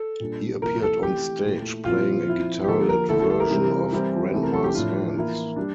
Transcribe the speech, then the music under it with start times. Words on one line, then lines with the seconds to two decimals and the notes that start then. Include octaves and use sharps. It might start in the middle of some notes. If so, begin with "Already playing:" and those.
He appeared on stage playing a guitar-led version of Grandma's Hands.
Already playing: A4
0.20 A#2 G3 D4
0.62 C3 F3 A#3 E4 A#4
0.83 A4
1.03 E3 A3 C4 G4
1.45 A#2 A3 E4
1.85 A#2 F3 C4 E4 F4
2.27 F3 C4 E4
2.64 G4
2.68 D3 F3 A#3 A4
2.89 A#4
3.09 D3 A3 E4 A4
3.19 A4
3.30 A4
3.40 A#4
3.50 C3 E3 G3 C4
3.92 E3 G3 C4 E4
4.33 C3 E3 A3 C4
4.43 A#4
4.53 A4
4.64 G4
4.74 A2 F3 A3 D4 F4
5.15 E3 A#3 E4
5.56 G3 D4